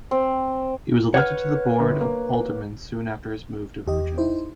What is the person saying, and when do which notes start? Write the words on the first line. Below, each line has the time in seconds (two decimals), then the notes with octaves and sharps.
He was elected to the board of aldermen soon after his move to Vergennes.
0.11 C4
1.14 B4 C#5 F#5 F6
1.80 G1
2.01 A#3
3.87 E2 G4 D#5
4.18 D#4 E4 C5